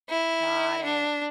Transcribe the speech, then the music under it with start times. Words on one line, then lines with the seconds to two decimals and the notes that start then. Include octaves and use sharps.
Got it.
0.09 E4
0.84 D4